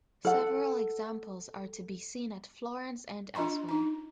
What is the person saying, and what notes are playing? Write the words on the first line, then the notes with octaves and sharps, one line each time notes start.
Several examples are to be seen at Florence and elsewhere.
A4 F#5
D4 F4 D#5 A#5 C6 C#6
D#4 A#5